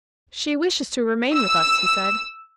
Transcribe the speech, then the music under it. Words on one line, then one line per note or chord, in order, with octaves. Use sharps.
"She wishes to remain with us," he said.
E6